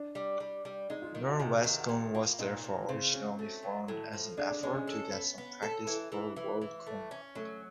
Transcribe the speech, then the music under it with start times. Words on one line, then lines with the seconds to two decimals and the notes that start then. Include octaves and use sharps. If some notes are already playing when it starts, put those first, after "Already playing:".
Norwescon was therefore originally formed as an effort to get some practice for Worldcon.
Already playing: D4 D5
0.15 G3
0.40 G3
0.65 G3
0.90 G#3 D#4 D#5
1.02 F4 F5
1.15 D#3
1.27 F#4 F#5
1.40 C3 G#4 G#5
1.64 D#3
1.69 F5
1.79 F#5
1.89 A#2 G4 G5
2.14 A#3 F4 F5
2.39 A#2 D#4 D#5
2.64 A#2
2.88 C#3 C4 C5
3.13 F#3 C#4 C#5
3.39 A3
3.63 F#3
3.88 A2
4.13 F3
4.37 G#3 D4 D5
4.50 D4 D5
4.63 G#3 C#4 C#5
4.75 C#4 C#5
4.87 A4
5.12 B3
5.38 B3
5.62 A4
5.87 E3
6.12 E3
6.36 E3
6.61 E3
6.87 A3
7.11 C#4
7.35 F#3 A3 A4